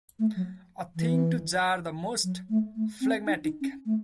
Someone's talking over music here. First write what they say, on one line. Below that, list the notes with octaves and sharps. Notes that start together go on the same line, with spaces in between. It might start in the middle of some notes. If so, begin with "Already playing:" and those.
A thing to jar the most phlegmatic.
A3
F#3
E3
F#3
A3
A3
C4
D#4
D#4
C#4
A3